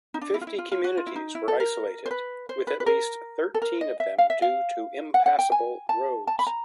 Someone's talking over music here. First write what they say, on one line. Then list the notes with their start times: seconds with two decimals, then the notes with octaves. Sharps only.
Fifty communities were isolated, with at least thirteen of them due to impassable roads.
0.14 D#4
0.21 D4
0.34 E4
0.41 F4
0.47 E4
0.59 F4
0.72 F4
0.84 F#4
0.97 F4
1.07 E4
1.16 D#4
1.35 E4
1.48 A4
1.60 A#4
2.06 C5
2.11 B4
2.49 C5
2.67 B4
2.80 B4
2.86 A#4
3.54 A4
3.62 A#4
3.81 D#5
4.00 E5
4.18 F5
4.30 E5
4.42 F5
5.14 F#5
5.26 F#5
5.39 G5
5.52 G#5
5.89 A5
6.27 A5
6.39 B5
6.47 A#5